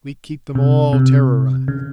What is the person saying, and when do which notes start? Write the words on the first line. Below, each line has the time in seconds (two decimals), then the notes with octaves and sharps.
We keep them all terrorized.
0.55 C3
0.93 C3
1.68 C#3